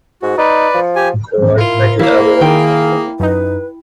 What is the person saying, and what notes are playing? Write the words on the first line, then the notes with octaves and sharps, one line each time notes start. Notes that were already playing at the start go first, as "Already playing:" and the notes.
Gold Medal Award.
G#2 F#4
D#4 B4 D5
F3
G4 G#5
E4 F4 A#4
A#3 E4
D#3 G#4 G5
F#2 D#4 B4